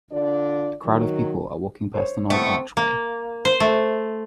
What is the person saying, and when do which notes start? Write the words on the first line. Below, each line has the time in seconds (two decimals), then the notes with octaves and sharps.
A crowd of people are walking past an old archway.
0.12 D3 D4 F4 D5
0.85 D#3 F#3
1.94 C5 C#5
2.30 A3 B3 C4 E4 C#6
2.77 A#3
3.45 C5
3.60 A3